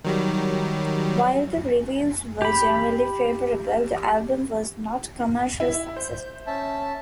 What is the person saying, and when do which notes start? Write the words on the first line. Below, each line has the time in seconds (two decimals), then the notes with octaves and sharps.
While the reviews were generally favorable, the album was not commercially successful.
0.04 D#3 F#3 G3
2.42 G4 B5
5.60 E4
5.96 C5 G6
6.47 C#4 E5 A5